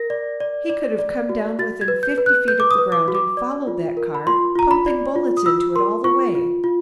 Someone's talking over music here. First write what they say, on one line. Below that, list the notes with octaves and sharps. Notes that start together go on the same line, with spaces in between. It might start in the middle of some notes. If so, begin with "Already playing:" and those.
He could have come down within fifty feet of the ground and followed that car, pumping bullets into it all the way.
Already playing: A#4 A#6
D5
D5
D5
D5
F#4
F#4 A6
G#6
B4
G6
B4
F#6
B4 G6
D6
D#6
B4
D6
F#4
D6
D5
F4
A#4
B5
F4 C6
F4 A#5
B5
D5
F4
D#6
F4 E6
A#4 C6
F4 C#6
F4
F4